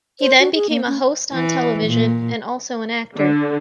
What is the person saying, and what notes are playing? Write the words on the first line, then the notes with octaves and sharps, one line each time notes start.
He then became a host on television, and also an actor.
C5
F#4
G#4
A#3
C#4
E3
A#2
D3